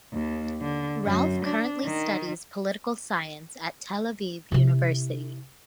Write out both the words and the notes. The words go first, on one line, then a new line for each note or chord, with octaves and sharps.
Ralph currently studies political science at Tel Aviv University.
D#2
D3
F#2
D4
D#3
C3 E4